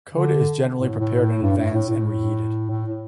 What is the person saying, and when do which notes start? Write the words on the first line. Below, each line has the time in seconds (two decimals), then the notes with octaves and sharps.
Coda is generally prepared in advance and reheated.
0.14 D3
0.78 A2
0.99 A2
1.21 A2
1.42 G2
1.57 A2
1.74 A2
1.89 A2
2.70 A2